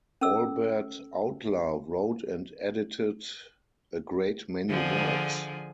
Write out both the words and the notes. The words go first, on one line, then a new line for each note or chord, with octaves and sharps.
Albert Outler wrote and edited a great many works.
C#4 A4 E6
D3 F3 G#4